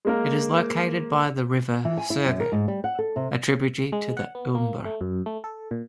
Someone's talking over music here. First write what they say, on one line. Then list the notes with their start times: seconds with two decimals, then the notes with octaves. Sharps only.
It is located by the river Segre, a tributary to the Ebre.
0.05 G#3 A#3 A#4
1.85 E3
1.97 G#5
2.10 E4
2.25 F#2
2.40 A#4
2.52 G#2
2.68 G3
2.84 F#5
2.99 A4
3.16 C3
3.92 G#3
4.17 F#5
4.35 B3
4.55 A#3
4.85 A3
5.01 F#2
5.26 A3
5.44 A4
5.71 A#2